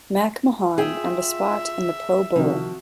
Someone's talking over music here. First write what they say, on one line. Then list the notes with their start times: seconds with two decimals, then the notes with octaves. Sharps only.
McMahon earned a spot in the Pro Bowl.
0.78 F4 G#4 E5 G5
2.36 C3 D#3 F3 F#4